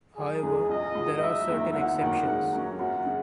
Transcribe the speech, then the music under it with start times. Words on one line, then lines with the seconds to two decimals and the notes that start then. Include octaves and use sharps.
However, there are certain exceptions.
0.17 F#1 G#4
0.43 E2 C#3 G#3
0.69 A#1 D#5
0.95 G#2 F#3
1.21 F#1 E5
1.48 E2 D#3 A#3
1.74 G#1 F#5
2.01 F#2 D#3 A#3
2.27 C#3
2.53 F#3 A#3 C#4
2.79 F#2 F#5
3.06 C#3